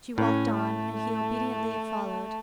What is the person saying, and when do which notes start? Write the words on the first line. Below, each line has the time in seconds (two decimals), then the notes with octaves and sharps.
She walked on, and he obediently followed.
0.18 A2 C#4
0.58 A3